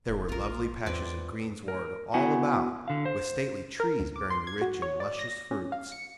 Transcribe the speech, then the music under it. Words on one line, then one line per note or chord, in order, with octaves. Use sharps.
There were lovely patches of greensward all about, with stately trees bearing rich and luscious fruits.
E1
A#1 F4 A#4
E2 C4 B4 D5
A#4
B3 E4 F#4 F#5 G#5
D3 F5
C5
A#4
D2
D6
C6
G#6
F#4
C#5
D5
A#6
C#4
F5
C#7